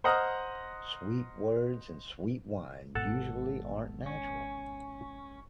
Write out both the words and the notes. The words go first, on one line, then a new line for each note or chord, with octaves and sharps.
Sweet words and sweet wine usually aren’t natural.
C5 D#5 F#5 A#5 D#6 F6
G#1 G#2 B2 A4 F#5 A5
C#4